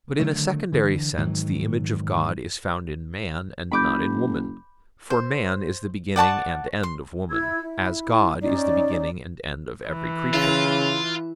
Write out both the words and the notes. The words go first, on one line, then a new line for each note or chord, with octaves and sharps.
But in a secondary sense the image of God is found in man, and not in woman: for man is the beginning and end of woman; as God is the beginning and end of every creature.
D3 D#3 F#3 A3
D3 E3
G#2 D#3 E3 F#3
F#1 B5 D6 G6
C5
D5 F#5 A5 C#6
C6
E4 E6 G#6
E4
C#4 D#4 D5
E3
C#3 E4 F4